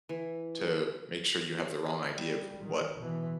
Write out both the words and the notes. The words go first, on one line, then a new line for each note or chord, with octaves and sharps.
to make sure you have the wrong idea of what
E3
G#4
G3
D#3
B2 E3